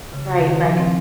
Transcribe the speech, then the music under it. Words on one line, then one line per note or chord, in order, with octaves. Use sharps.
Right, right.
C#3
D#3
F3
C4